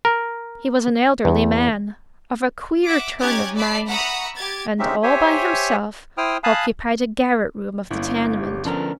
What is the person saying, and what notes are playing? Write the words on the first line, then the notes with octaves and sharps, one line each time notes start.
He was an elderly man, of a queer turn of mind, and, all by himself, occupied a garret room of the tenement.
A#4
E2
E5 F#5 D6
C#4 D#4 G4 F#6 G#6 A6
D5 E5 A5 B5 C7
E5 F#5 A#5 B5 C#6 D#6
G4 G#6 A6
G#3 C4 C#4 D#4 G4 E5
G4 C5 C#5 E5 G#5
E4 C5 G5 D#6 F6
F5 G#5 A5 B5 D#6 F#6
G1 A#3 C#4 D4 E4
G4
D3 F3 A3 B3 C#4 D4 A#4